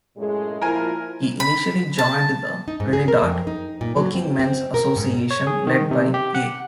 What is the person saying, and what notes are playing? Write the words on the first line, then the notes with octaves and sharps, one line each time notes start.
He initially joined the Trinidad Workingmen's Association led by A.
F#2 A2 G#3
A#2 F3 E4 A#4 G#5
B5
A5
D#4
G#2
G#4
A#4
F2
D#4
A#2
F#3
C4
C4
A#4
G#2
C#5
G#4
D#3
C3
G4
F#5